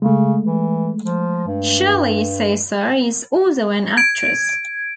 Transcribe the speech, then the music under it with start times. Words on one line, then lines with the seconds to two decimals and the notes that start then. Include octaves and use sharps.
Shirley Caesar is also an actress.
0.02 C#3 G#3 A3
0.45 E3
1.04 F3
1.47 G2
3.97 G#6 D7